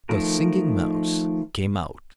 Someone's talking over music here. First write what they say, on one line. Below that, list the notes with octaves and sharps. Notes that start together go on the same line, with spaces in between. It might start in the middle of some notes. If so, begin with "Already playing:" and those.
The Singing Mouse came out.
D#3 F3 A3 A#4